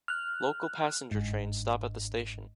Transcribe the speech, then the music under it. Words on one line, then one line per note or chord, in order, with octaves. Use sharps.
Local passenger trains stop at the station.
F6 F#6
G1 G#2